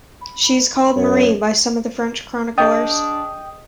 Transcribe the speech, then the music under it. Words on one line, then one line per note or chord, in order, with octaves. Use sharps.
She is called Marie by some of the French chroniclers.
B5
F#2 C#5
D4 G#4 D#5 G5 D#6